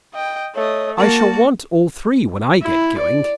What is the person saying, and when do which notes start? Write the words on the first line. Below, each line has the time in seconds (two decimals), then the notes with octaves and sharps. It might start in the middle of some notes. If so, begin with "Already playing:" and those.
I shall want all three when I get going.
0.14 D#5 G5
0.55 A3 C#5 D#5
0.98 A#3 F#4 A#4 A5
2.62 E4
2.98 D5